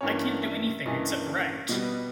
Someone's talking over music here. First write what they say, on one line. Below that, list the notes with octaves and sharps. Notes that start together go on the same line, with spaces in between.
I can't do anything, except write.
G2 E3 A#3 C#4 C#5
E5
G2 E3 A#3 C#4 D#5
B2 G3 B3 D#5